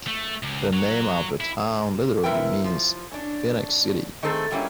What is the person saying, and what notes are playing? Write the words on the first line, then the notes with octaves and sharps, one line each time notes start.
The name of the town literally means, Phoenix City.
A3
C#2
F#3
E4
F#2 E4 A#4 B4 G5
F3
C#4 D4
D#3 A3 C4 G#4 A4
G#2 F#3 G3 A#3 C#4 E4